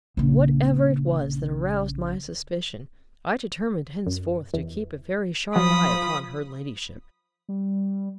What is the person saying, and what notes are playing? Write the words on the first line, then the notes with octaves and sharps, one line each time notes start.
Whatever it was that aroused my suspicion, I determined henceforth to keep a very sharp eye upon her ladyship.
A#1 C#3
F#2
E2
F3 F#3 B5 D#6
G3